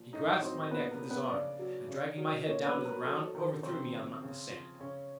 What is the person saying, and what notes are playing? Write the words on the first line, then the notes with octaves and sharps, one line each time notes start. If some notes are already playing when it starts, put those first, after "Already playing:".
He grasped my neck with his arm, and dragging my head down to the ground, overthrew me on the sand.
Already playing: A#2 F3
A2 D#4 D#5
F#3 C4 C5
A#2 B3 B4
A#4
F3
B3 B4
C#3 D4 D5
F#3
C#3
F#3
A#2 C#4 C#5
B3 B4
F#3
A#4
F#3 A4
D#3 A#4
C3 C4 C5
F3
C#3
F3
C#3 C#4 C#5